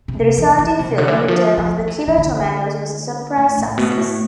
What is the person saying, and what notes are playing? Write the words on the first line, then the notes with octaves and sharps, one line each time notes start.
The resulting film, "Return of the Killer Tomatoes", was a surprise success.
C3
E3
E3
C3
D3
E3
D3
F3
F3
E3
E3
D3
A2
A2
B2
A2